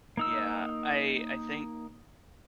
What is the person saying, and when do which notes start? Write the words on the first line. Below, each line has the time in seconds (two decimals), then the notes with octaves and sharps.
Yeah, I I think
0.17 A#3 D#4 E6